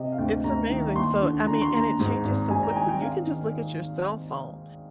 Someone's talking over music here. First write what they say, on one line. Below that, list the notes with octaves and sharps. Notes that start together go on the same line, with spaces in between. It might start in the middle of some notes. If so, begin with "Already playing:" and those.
It's amazing, so, I mean and it changes so quickly; you can just look at your cell phone.
Already playing: C3 D#5
F5
D2 G5
D2 A#5
D#3
D#2 C6
D3
D3 A#5
C6
D#2 A#5
G#2
G#1
G#2 G#5
A#5
G5
D#3 G#5
G5
D#3 F5
D#3